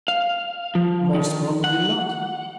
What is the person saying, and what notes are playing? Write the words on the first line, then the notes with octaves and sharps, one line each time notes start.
Most probably not.
F5
F3
D#3
F#5